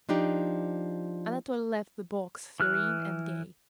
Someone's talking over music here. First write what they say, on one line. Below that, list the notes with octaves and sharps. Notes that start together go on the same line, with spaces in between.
Anatole left the box, serene and gay.
F3 D4 D#4 G4
E3 F6 F#6